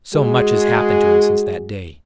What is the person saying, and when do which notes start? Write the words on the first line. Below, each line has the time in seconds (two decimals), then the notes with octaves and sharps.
So much has happened to him since that day.
0.14 G#3 F#4 G#4